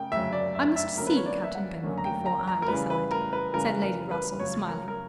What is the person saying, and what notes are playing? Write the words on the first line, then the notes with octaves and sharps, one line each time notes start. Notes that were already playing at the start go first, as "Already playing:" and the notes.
"I must see Captain Benwick before I decide," said Lady Russell, smiling.
Already playing: C#3 G5
D2 C#3 F#3 E5
D5
E5
E5
F#2 D3 F#3 A#3 C#4 A#4
B4
C#5
D5
E5
F#5
F#2 D3 F#3 A#3 C#4
A#5
G5
A#5
A#5
A#4
C#3 E3 G3 B4
B4
A#4
B4
C#3 E3 G3 A#4
A#4
B4
C#2 C#3 F#3 C#4 C#5
A#4
A#4